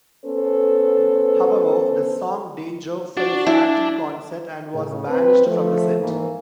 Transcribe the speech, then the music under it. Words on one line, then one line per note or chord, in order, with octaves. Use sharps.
However, the song "Danger" fell flat in concert and was banished from the set.
B3 C#4 A4 B4 C5
D4 F#4 D5
E4 A5
A2 C#3
C4 B4
F3 A3
G#2 E3 A#3